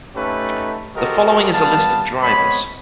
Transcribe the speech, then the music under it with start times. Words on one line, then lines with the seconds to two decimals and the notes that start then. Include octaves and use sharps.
The following is a list of drivers.
0.16 A3 C#4 D#4 G4 A4 B4
0.95 F#4 G4 A4 A#4 C5 D#5
1.53 G3 B3 B4 F5 A5
2.20 G#3 B3 C4 C#5 B5